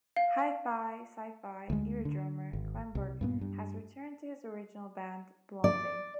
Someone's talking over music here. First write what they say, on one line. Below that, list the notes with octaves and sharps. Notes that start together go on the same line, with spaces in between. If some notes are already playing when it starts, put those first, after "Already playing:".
"Hi-Fi Sci-Fi"-era drummer Clem Burke has returned to his original band, Blondie.
F5
D2 G#3
D3
G#1
C2
G2 A#2 B3
G2
D5